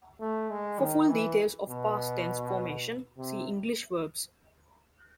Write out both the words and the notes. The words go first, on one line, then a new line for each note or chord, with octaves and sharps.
For full details of past tense formation, see English verbs.
A3
G#3
D#3
E3
B2
C3